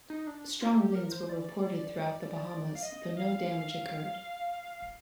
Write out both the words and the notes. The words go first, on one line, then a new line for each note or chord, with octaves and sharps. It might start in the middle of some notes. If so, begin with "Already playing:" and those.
Strong winds were reported throughout the Bahamas, though no damage occurred.
D#4
D4
F4
A4
G4
A#4
C5
D5
F5
D#5
D#5
F5